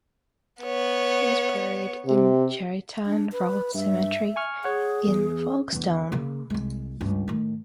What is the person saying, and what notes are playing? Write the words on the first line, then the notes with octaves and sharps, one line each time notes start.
He was buried in Cheriton Road Cemetery in Folkestone.
B3 C#5
C3
D4
B4
G2 E5
G#5 C#6 F6
G#4 C#5 F#5
E2
E2 D3
C#3 A#3
C2 G#3
C#2 G2
A2 D#3